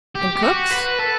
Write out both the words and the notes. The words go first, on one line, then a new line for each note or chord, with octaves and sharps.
"And cooks?"
G4
G4
F#4
B4
A4